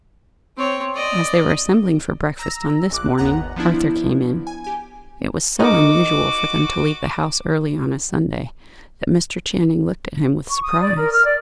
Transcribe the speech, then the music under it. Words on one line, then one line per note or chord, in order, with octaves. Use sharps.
As they were assembling for breakfast on this morning, Arthur came in. It was so unusual for them to leave the house early on a Sunday, that Mr. Channing looked at him with surprise.
C4 C#5
D5 D#5
A#5 E6 A#6
A#1 D6 F#6
G1 D#2 B3 F#5 A#5 F#6
F3 B3 D4 E4
G#5
G4 G#5
D#4 F#4 A#4 D#5 D6
C#6
D#6
D5
A#4
F6
D5